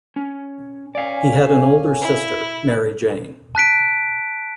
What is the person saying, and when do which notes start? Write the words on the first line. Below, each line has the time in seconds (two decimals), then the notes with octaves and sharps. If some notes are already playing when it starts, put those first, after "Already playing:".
He had an older sister, Mary Jane.
0.16 C#4
0.95 C#4 D5 F5 G#5
2.02 E4
3.55 A5 F#6 B6 D7